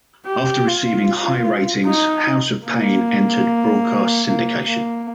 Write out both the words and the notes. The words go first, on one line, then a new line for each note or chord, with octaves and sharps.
After receiving high ratings, "House of Payne" entered broadcast syndication.
G4
F4
D#4
A#3
A#3
A#3